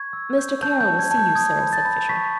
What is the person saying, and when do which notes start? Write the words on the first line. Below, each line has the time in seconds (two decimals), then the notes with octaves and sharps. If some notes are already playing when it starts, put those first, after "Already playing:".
"Mr. Kara will see you, sir," said Fisher.
Already playing: C#6 G#6
0.13 E6
0.38 G6
0.62 A5 G6
0.81 G6
0.86 A5
0.99 G#6
1.11 A5
1.18 G6
1.35 D#6 G#6
1.60 B5
1.73 A6
1.85 B5
2.09 C#6 B6